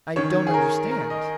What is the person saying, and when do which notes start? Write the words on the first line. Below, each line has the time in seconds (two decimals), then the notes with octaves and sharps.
"I don't understand."
0.16 D#3 C#4 C#5
0.47 G#4
0.54 A#4
0.91 A#4
1.10 D#5